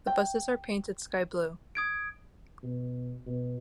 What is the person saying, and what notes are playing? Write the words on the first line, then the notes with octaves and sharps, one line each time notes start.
The buses are painted skyblue.
G5
D#6 G#6 D7
B2
B2